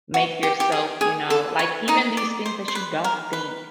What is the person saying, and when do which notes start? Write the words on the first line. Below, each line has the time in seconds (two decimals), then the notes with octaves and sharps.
make yourself, you know like, even these things that you don't think
0.14 F#4
0.43 G4
0.60 G4
0.72 G#4
1.01 G#4
1.30 A4
1.59 C#5
1.88 D#4 D#5
2.17 D5
2.46 C5
2.68 C5
2.75 B4
3.04 A#4
3.33 B4